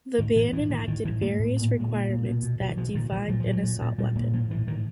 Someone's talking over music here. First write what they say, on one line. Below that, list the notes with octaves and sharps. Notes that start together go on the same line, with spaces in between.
The ban enacted various requirements that defined an assault weapon.
A2 D#3
A2 E3
A2 E3
A2 D#3
A2 D#3
A2 E3
A2 A#3
A2
A#2 B3
A3
A#2
G#3
A#2
A#2
B2
B2
B2 F#3
E3
B2 F3
A#2 D#3
A#2 F3
A#2 F#3
F3
A#2 F#3
A#2
A#2
A#2 G3
A#2 G#3
A2 F3
A2 E3
A2 D#3